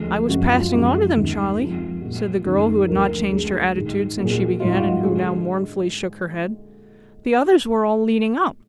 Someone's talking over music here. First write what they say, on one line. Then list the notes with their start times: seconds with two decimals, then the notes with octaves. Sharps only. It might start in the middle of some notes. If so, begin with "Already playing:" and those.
'I was passing on to them, Charley,' said the girl, who had not changed her attitude since she began, and who now mournfully shook her head; 'the others were all leading up.
Already playing: D2 D3 F3 G#3
0.29 F#2 F3 G#3 F#4
0.51 F4
0.71 F#2 F3 G#3 F#4
1.15 D#2 D#3 G#3
1.58 F2 F3 G#3 F4
2.01 A#2 G#3 F#4
2.45 F#2 D#3 G#3
2.88 D2 D3 F3 A#4
3.31 D2 D3 G#3 G#4
3.74 G#2 D#3 G#3
4.16 A#2 F#3 F#4
4.25 G#4
4.34 F#4
4.60 G#2 F#3 F4
4.74 F#4
4.89 F#4
5.03 D3 G#3 G#4